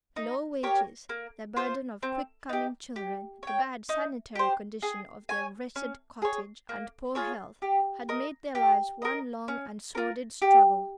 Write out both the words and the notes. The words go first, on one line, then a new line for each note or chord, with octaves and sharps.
Low wages, the burden of quick-coming children, the bad sanitary conditions of their wretched cottage, and poor health, had made their lives one long and sordid struggle.
D#4
G4 A#4 C#5
A#3
F4 C5
C4
D#4 G4
G4
C#5 G5
D#4
G4 C5
G#4
C#5 G#5
C#4
G#4 C#5
A#3
F4 G#4 C#5
G4
A#4 D#5
G4
A#4 D#5
C#4
F4 A#4
G4